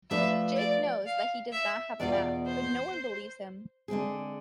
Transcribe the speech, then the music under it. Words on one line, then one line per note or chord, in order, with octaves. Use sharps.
Jake knows that he does not have a map, but no one believes him.
F3 A3 D4 F4 B4 E5
D5
F5
E5
E2 B2 B3 F4 D5
C5
D3 G#3 C4 G#4